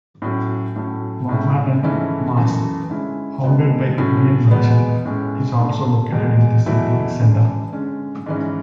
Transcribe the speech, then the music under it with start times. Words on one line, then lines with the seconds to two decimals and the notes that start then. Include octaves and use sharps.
Muhammadan Mosque, founded by Indian merchant, is also located in the city centre.
0.22 A2 F#3 C#4
0.75 A2 F#3 A3 C#4
1.29 A2 G#3 C#4 E4
1.83 G#2 E3 A3 C#4 E4
2.36 F#2 E3 A3
2.90 D3 G#3 C#4 E4
3.44 B2 G#3 B3 D4
3.98 A2 F#3 C#4
4.51 E2 B2 G#3 B3
5.05 A2 G#3 C#4
5.59 D3 A3 D4
6.12 E2 B2 G#3
6.66 E2 B2 F#3 A3 E4
7.19 C#3 E3 G#3 D4
7.73 D3 G#3 C#4
8.26 G#2 E3 G#3 C#4 E4